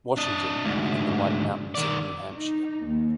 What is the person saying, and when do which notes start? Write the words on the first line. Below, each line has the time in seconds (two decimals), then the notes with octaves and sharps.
Washington, in the White Mountains of New Hampshire.
0.17 D4 D#5
0.65 D2 G#2
1.75 D#3 D5
2.36 D#4
2.84 D#2